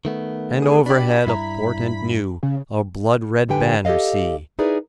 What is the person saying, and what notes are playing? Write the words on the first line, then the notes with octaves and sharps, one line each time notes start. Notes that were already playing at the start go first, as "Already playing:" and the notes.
And overhead a portent new, a blood-red banner see!
D#3 A3 B3
G#4
D4 G4 B5
G2 E4 A#5
C#3
G#2 D3 G4 B4 G5 G#5
G4 A4 B4 D#5 F5
D#4 E4 G#4 A#4 B4 D5